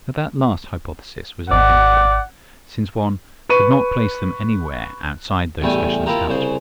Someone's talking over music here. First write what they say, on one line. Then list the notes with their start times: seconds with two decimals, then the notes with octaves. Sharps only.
But that last hypothesis was unthinkable, since one could not place them anywhere outside those special establishments.
1.51 G#1 D5 F#5
3.49 B4 C#6 D#7
5.62 A1 E2 G3 A3 G5 G#5
6.06 A#3 E4 F4 G4 A#4
6.27 C2 C#3 C5